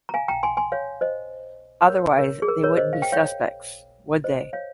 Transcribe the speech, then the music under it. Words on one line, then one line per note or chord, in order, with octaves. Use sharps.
Otherwise, they wouldn't be suspects, would they?
A#5
F5 G#5
G5 A#5
G#5 C6
G#5 C6
C#5 F5
C5 D#5
A#4 C#5
A#4 C#5
G#4
A#4
A#4 C#5
C5 D#5
F5
G5
C#5 F5
C5 D#5
C#5 F5